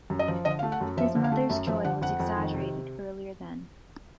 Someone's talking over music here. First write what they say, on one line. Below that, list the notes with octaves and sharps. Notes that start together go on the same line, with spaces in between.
His mother’s joy was exaggerated earlier then.
F#2
D#5
F3
D3 D#5
F5
A3
F#5
F#2
F3 E5
D3
F5
A3
F#2 E5
F3 E5
D3 F#5
F2 F#5
F2
D#3
C3